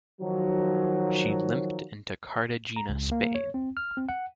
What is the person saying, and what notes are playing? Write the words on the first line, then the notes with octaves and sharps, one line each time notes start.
She limped into Cartagena Spain.
D#3 F3 F#3
A#5
C#2
A#3
C#5
C4
F6
C4
F#5